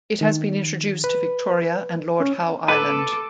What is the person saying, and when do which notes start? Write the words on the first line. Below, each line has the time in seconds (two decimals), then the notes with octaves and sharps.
It has been introduced to Victoria and Lord Howe Island.
0.21 D#3
1.04 B4
2.20 C#4
2.68 A4 B4 D6 D#7